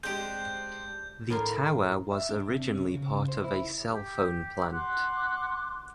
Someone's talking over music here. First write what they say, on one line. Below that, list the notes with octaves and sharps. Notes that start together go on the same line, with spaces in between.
The tower was originally part of a cell phone plant.
G#3 C4 D4 G4 G6
A2 A#4 C6
E5
D4
C3
C#4
C#3
C5
E4
G4
F#5 C6 D6 F#6